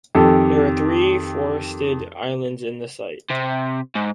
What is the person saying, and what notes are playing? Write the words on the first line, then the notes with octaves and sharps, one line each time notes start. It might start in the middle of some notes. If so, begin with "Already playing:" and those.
There are three forested islands in the site.
F2 D#3 G4 A4
C3
G#2